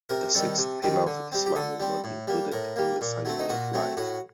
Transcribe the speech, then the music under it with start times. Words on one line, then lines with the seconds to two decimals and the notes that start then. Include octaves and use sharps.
The sixth pillar of Islam is not included in the Sunni way of life.
0.09 C3 A#4
0.34 D#3 G3 C4 A4
0.58 C3
0.82 D#3 G3 C4
1.07 D3
1.32 G3 C4
1.46 G4
1.55 D3 A4
1.80 G3 C4
2.04 A2
2.27 G3 A#3
2.52 A2 A#4
2.76 G3 A#3
3.01 A#2
3.25 F#3 A3 C4
3.39 D#4
3.49 A#2 F#4
3.73 F#3 A3 C4
3.97 A2 F#4